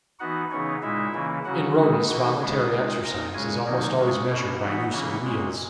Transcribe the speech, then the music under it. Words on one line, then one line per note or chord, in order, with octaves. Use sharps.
In rodents, voluntary exercise is almost always measured by use of wheels.
E3 B3 D#4 F#4 F#5
C#3 E3 B3 C#4 D#4 C#5
A#2 G#3 D#4 E4 E5
C#3 E3 A#3 C#4
C#3 F#3 C#4 F#4 F#5
E3 G#3 D#4
E3 A#3 D#4 F#4 F#5
C#3 G#3 B3 D#4 G#4 G#5
A#2 G#3 D#4
A#2 A#3 D#4 A#4 A#5
C#3 G#3 C#4 G#4 G#5
D#3 F#3 A#3 D#4
C#3 G#3 C#4
B2 A#3 C#4
E3 B3 D#4 F#4 F#5
C#3 E3 A#3 C#4
A#2 G#3 C#4